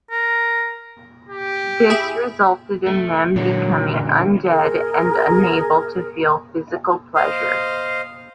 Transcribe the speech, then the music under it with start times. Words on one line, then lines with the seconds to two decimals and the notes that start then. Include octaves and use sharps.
This resulted in them becoming undead and unable to feel physical pleasure.
0.11 A#4
1.29 G4
1.90 E4 G#4 E5
2.86 A3
3.36 A#2 D3 E3 F#3 G#3
4.03 F#2
4.48 G#4 A#4
7.16 C5 D#5 F5